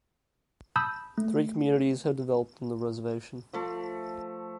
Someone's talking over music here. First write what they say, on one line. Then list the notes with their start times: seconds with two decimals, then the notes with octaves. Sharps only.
Three communities have developed on the reservation.
0.76 A5 B5 D#6 E6 G6
1.18 A3
3.53 F3 A3